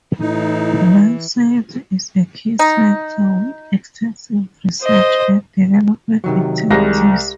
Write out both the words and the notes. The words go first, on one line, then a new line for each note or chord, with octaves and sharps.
Life science is a key sector with extensive research and development activities.
A2 E3 D#4
D#4
C5 D#5
C3 D#3 F#3
C2 G#3 A#6